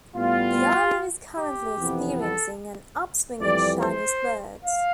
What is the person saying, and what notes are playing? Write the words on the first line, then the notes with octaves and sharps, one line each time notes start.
The island is currently experiencing an upswing in Chinese births.
A2 G3 B3 F4
G4
F2 C3 E3 B3
A4
F2 E3 G3 D5
C5
F5